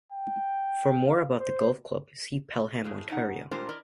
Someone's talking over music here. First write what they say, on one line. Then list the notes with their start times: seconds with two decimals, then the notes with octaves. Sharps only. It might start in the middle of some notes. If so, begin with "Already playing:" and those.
For more about the golf club, see Pelham, Ontario.
0.12 G5
1.06 F5
1.40 C5
2.84 F2 A2 G#4
3.10 C#3 D#4 F#5
3.51 A#2 G3 D4 F4 A#4 C5
3.69 E4 A#4 D5 D#5